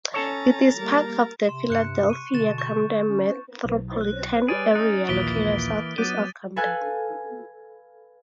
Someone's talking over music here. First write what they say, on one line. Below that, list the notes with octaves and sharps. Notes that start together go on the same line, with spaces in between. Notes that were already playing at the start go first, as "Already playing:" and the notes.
It is part of the Philadelphia-Camden metropolitan area, located southeast of Camden.
C#4 A4 C#5 A#5 A6
G3 A#3 A#4
C3 C6 E7
G2 F#6 C#7
C#6 D#7
B2 D3 A6 E7
C#6 G6
C#4
B1
F#6
G3 G#4 B4 C#5 G#5 A6 D7
C#4 D#4 D#5 D#6
A#1 D#2 A#2 E3 A#3 B6 D7 G7
F#3 B3 D6 G6 A6 D#7
A4 B4 F5 G#5 F#6